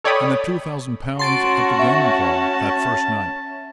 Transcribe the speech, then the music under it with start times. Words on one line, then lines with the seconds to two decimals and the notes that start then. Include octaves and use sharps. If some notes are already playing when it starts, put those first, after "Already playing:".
"And the two thousand pounds at the gaming club--that first night?"
0.04 A4 C#5 D5 G5 B5 D#6
1.19 C#4 F#4 A5 C6 A6 D7
1.79 E5